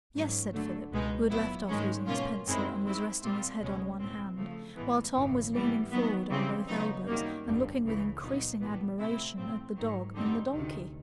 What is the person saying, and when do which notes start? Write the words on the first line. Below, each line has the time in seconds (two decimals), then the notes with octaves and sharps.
"Yes," said Philip, who had left off using his pencil, and was resting his head on one hand, while Tom was learning forward on both elbows, and looking with increasing admiration at the dog and the donkey.
0.14 G#2 D#3 F#3 A#3 C#4
0.53 D3 F#3 A3
0.92 C#2 B2 G#3 B3 D#4
1.29 A#1 A#2 F#3 B3 E4
1.68 G#2 D#3 G#3 C#4
2.06 B2 F#3 A#3 C#4 F4
2.45 F#2 D#3 G#3 C4 E4
2.84 D#3 G#3 C4 E4
3.22 A#2 G3 C4 F4
3.60 C#2 B2 G#3 C#4
3.99 A2 E3 G#3 C4
4.37 C#3 F3 A3
4.75 A1 A2 E3 G#3 B3
5.15 G#1 F#2 C#3 E3
5.53 A2 E3 G3 B3
5.91 D#3 F#3 B3
6.29 C#3 E3 G3 C4
6.68 C#3 F#3 B3 D#4
7.07 F#2 D#3 G3 A#3
7.45 G1 F2 D3 G3
7.84 C#2 C#3 E3
8.22 A#1 A#2 F#3 B3 D#4
8.60 A#1 A2 E3 G3 B3
8.98 C3 F3 A3 C4 E4
9.37 B1 A2 F3 A3 C4
9.76 G#2 D#3 F#3
10.14 F#2 D3 G3 C4 D#4
10.53 D2 C3 D#3